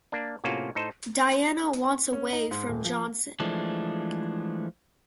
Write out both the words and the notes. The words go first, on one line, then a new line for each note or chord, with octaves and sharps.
Diana wants away from Johnson.
A#3 D4
A2 C3 A#3 C#4 F4 F#4
A2 D#4 A4 C5
C#4
D#4
G#2
D#1
F3
E3 F3 G#3 A3 D4